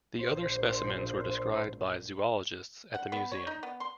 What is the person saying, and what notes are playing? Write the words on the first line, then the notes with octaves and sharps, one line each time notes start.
The other specimens were described by zoologists at the museum.
A#1 C5
F#5
B3
C#5
D#4
B3
C6